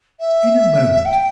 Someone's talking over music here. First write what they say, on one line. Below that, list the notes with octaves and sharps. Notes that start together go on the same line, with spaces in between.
"In a moment."
E5
G5